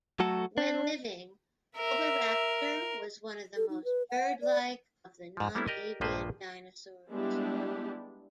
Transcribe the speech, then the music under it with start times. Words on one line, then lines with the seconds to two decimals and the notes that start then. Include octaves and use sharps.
When living, "Oviraptor" was one of the most bird-like of the non-avian dinosaurs.
0.20 F#3 A3 F#4 A4
0.58 D4
1.77 A#4 E5
3.56 A4
3.69 D#4
3.84 B4
4.10 F#5
4.41 D5
5.37 G#2 F3
5.55 G3 A#3 B3 C#4 D4 E4
5.68 G4 A#4 D5 D#5
6.01 A#1 G2 F3 A#3 B4 C5
7.09 G3 G#3 B3 D4 E4 G4